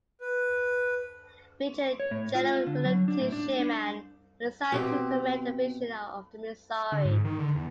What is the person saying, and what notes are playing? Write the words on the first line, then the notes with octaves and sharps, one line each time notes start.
Major General William T. Sherman was assigned to command the Division of the Missouri.
B4
C#5
A2
F4
D3
F#3
D4
A2
D4
D4
B2 C4 G4
D3
G#2
D#3
D3
E2